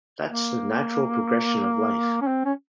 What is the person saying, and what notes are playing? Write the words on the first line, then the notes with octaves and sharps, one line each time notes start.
That's the natural progression of life.
A#3
C#4
C4
C#4